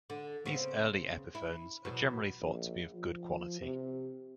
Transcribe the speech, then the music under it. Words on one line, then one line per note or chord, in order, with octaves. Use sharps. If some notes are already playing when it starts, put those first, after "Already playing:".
These early Epiphones are generally thought to be of good quality.
D3
C#3 B3 C4
E4
E2 B2 F#3
A#1
F3
C3